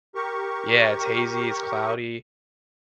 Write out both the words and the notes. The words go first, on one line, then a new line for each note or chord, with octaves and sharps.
Yeah, it's hazy, it's cloudy.
G4 A#4 C#6